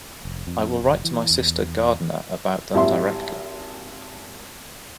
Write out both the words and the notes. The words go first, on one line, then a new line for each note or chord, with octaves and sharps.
I will write to my sister Gardiner about them directly.
F1
F2
F1
E3
E2
G#1 G3 E4 E5 C6